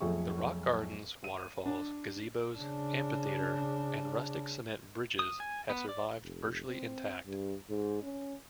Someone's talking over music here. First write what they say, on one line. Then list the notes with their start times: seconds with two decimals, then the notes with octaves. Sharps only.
The rock gardens, waterfalls, gazebos, amphitheater and rustic cement bridges have survived virtually intact.
0.01 B1 F2 A3 G#4 C#6
1.24 D#7
1.66 D4
2.58 C#3 D4
5.19 D#6
5.40 G#5
5.70 B3
5.89 D5
6.23 F1
6.67 C4
7.26 G2
7.70 G#2
8.03 C#4